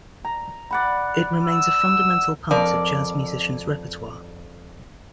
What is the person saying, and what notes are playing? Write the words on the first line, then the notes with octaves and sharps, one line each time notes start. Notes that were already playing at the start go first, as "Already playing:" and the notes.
It remains a fundamental part of jazz musicians' repertoire.
A#5
D5 F#5 B5
E6
F2 A#4 D5